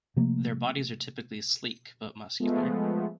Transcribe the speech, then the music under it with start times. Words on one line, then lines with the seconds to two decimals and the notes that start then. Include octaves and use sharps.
Their bodies are typically "sleek" but muscular.
0.17 C3 F3 A3 A#3
2.40 F3 G#3 A3 B3